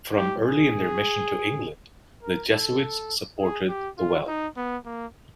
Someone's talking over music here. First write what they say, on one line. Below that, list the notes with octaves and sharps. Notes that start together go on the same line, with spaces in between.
From early in their mission to England, the Jesuits supported the well.
G4
G#4
A#4
A4
G#4
G4
F4
D#4
B3
A#3